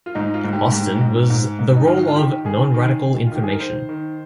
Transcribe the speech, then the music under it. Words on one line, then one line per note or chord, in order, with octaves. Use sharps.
Austin was the role of 'non-radical information'.
F4
G#2 D#4
F4
G#2
G4
G#2 G4
G#2
G#2
G#2
D#4
D#3 F4
F4
D#3 G4
D#3 G#4
D#3
D#3
F4
D#3 G4
G#4
A#4
D#3 C5
D#3